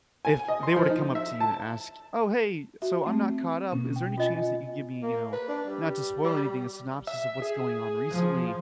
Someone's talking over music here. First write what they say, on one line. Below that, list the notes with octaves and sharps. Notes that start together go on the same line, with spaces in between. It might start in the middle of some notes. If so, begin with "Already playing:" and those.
if they were to come up to you and ask, "Oh, hey, so I'm not caught up, is there any chance that you give me, you know- not to spoil anything- a synopsis of what's going on recently?"
G#5
D#5
C6
F3
D#4
E5
A5
F#4 E5
A3 C4
B2 A#3 C#4
G5
F4 D#5 G#5
A#3
B4
D4
G3
G3
E5
G#4
F3